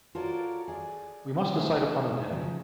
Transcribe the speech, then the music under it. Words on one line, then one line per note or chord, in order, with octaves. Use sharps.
We must decide upon a day.
F4 F#4 A4 A#4 C#5 D5
G#4 D5
E3 A3 D#4 G#4 C5 E5
C#3 F3 F#3